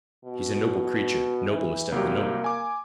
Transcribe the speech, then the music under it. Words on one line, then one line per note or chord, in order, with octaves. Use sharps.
She's a noble creature, noblest of the noble.
B2
E3
C2 F#3 A#3 G4
G#5 D6